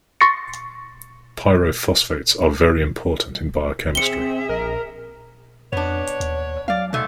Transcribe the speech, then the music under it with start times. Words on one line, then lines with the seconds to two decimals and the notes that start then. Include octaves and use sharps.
Pyrophosphates are very important in biochemistry.
0.21 C6 C#6 A6 A#6 C#7
3.95 C4 G#4 E5 C#7 G7
4.49 A#1 A#4
5.73 F2 B3 D4 C#5
6.20 D#2
6.68 F#3 D5 F5
6.93 G#2 B2 A3